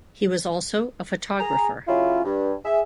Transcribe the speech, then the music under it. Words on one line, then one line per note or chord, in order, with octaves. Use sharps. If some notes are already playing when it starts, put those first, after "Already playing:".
He was also a photographer.
G#4 A#5
C#3 F#3 C#4 E4 F4
G2
G#4 E5